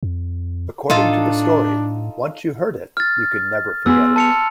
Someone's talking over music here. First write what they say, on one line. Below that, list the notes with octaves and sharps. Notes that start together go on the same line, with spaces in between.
According to the story, Once you heard it, you could never forget it.
F2
A2 D4 D#4 F4 A4
F6 A6
B3 G#4 C6 E6
A5 C#7 F7